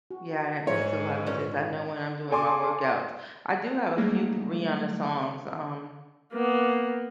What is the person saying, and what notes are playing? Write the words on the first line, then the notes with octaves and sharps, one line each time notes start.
Yeah, that makes a lotta sense, I know when I'm doing my workout. I do have a few p Rihanna songs, um,
F#4
G#2 D#4 A#4 C#5
A#2 C#4 A#4 B4
A4 D5 G#5 C6 D6
F#3 G3 A3 A#3 D#4 G#4
A#3 B3